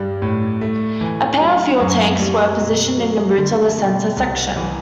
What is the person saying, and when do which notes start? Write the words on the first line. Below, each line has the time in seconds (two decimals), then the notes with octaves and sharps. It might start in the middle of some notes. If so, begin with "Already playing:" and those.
A pair of fuel tanks were positioned in the roots of the center section.
Already playing: G2 G3
0.22 A2
0.61 A3
1.01 E3
1.41 F#3
1.80 F#2
2.19 G3
2.59 B2
2.98 F#3
3.37 D3
3.77 B2
4.17 C2
4.56 E3